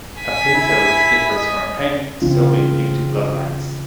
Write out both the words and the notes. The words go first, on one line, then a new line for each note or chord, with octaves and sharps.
A pinto differs from a Paint solely due to bloodlines.
G#5 B6
E4
D#5
C#3 E3 C4 F4